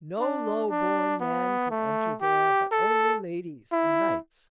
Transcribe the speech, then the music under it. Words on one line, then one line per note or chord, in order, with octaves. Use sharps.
No low-born man could enter there, but only ladies and knights.
D4
D4
B3
A3
G4
A4
E4